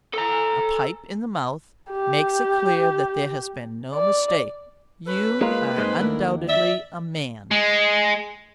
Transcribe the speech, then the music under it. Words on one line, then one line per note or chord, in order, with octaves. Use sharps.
A pipe in the mouth makes it clear that there has been no mistake--you are undoubtedly a man.
A4 A#5
G4
D5
F#2 A4 B4 C#5
G#3 A#3 F4
G#2 G#3 C4 C5
D#2 D3 E4 A#4
E2 D5 E5
G#3